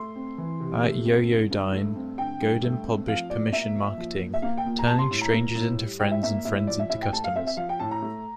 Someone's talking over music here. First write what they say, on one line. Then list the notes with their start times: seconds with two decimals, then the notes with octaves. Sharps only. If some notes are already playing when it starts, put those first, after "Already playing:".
At Yoyodyne, Godin published "Permission Marketing: Turning strangers into friends and friends into customers".
Already playing: A3 C6
0.16 C4
0.38 E3
0.60 C3
0.83 A3
1.05 C4
1.28 D3
1.51 G2
1.72 A3
1.95 C4
2.18 D3 G5
2.41 G2
2.63 A3
2.85 C4
3.08 F3 F5
3.30 A#2 D5
3.52 A#3 E5
3.75 A#2
3.98 F3
4.20 A#2
4.34 E5
4.42 A#3 F5
4.57 G5
4.65 A#2
4.79 A#5
4.87 G3 A5
4.99 C6
5.11 A2
5.21 A#5
5.33 A#3
5.55 A2
5.78 G3
6.00 A2 G5
6.11 E5
6.23 A#3 E5
6.45 A2 E5
6.67 F3 D5
6.79 E5
6.90 A2 E5
7.02 G5
7.13 A3 A5
7.24 F5
7.36 C4 E5
7.47 E5
7.57 F3 F5
7.69 G5
7.80 A2 A5
7.91 A#5
8.02 A3